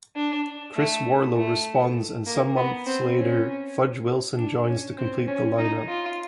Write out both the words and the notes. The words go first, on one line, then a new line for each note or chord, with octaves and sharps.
Chris Warlow responds and some months later Fudge Wilson joins to complete the line-up.
D4
A3
A3
A#3
B3
C4
C#4
D4
C#4
C4
C#4
D#4
F4